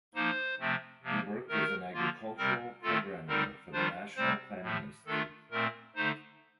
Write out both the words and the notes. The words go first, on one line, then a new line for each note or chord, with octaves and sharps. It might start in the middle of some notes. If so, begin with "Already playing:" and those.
He worked as an agricultural programmer for the National Planning Institute.
F3 A#3 D#4 C5
C3 F3 A3 C4
C3 F3 A#3
D#3 A3 D#4 A#4
D3 F3 A#3 F4
C3 G3 C4 A#4
D#3 A3 C4 F4 A4
D3 G3 C4 D#4 A#4
D#3 G3 D4 F4 C5
C3 G3 C4 C5
A2 F3 A3
D#3 A3 D4 F4 A4
A#2 A3 C4 A#4
D3 A3 D#4 C5